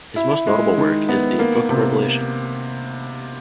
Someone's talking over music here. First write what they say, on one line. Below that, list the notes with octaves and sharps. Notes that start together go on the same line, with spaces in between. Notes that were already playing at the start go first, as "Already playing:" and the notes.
His most notable work is the "Book of Revelation".
E4
G#3
D#3
B3
A#3
C3